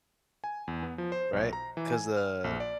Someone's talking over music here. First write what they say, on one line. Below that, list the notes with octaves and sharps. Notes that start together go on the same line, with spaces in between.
Right? 'Cause, uh,
G#5
E2
B3
F3
C5
B1
A#5
E3
G#5
F6
A#1
D5